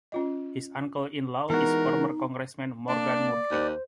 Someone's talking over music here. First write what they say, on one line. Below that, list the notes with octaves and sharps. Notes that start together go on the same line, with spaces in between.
His uncle-in-law is former congressman Morgan Murphy.
C#4 F4 D#5
E3 G#3 B3 D#4 F#4 A#4
A#3 D4 D5
D#2 C5